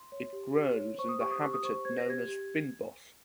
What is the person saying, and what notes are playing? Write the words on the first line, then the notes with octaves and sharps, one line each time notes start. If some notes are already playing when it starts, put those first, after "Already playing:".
It grows in the habitat known as fynbos.
Already playing: C6
C#5
G4
G4
C#5
C5 C#6
D#6
G4 C#6
D#6
G4 C#6
D#6
C5 C#6
C5 G#6
A#6
G4 G#6
G4